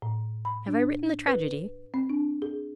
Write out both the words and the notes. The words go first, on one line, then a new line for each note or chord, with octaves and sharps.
Have I written the tragedy?
A2
B5
D4
B4
C4
D4
G#4